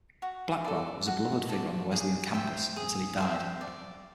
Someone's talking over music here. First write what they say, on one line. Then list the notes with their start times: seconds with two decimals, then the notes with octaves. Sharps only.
Blackwell was a beloved figure on the Wesleyan Campus until he died.
0.22 F#4
0.64 A4 D5
1.07 F#4
1.49 A4 D5
1.92 G#4
2.34 C5 E5 G5
2.76 G#4
3.18 C5 E5 G5
3.61 D5